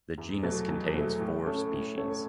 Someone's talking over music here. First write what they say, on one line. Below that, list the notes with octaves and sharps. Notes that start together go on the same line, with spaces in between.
The genus contains four species.
E2
B2 F#3 A3
E2
B2 F#3 A3
A2
A3 C#4 A4 C#5
A2
A3 C#4 A4 C#5